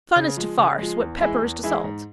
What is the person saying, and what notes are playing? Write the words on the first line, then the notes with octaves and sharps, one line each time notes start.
Fun is to farce what pepper is to salt.
C#3
F3 G#3
C#3
F3 G#3
E2
E3 G#3 E4 G#4
E2
E3 G#3 E4 G#4
G#2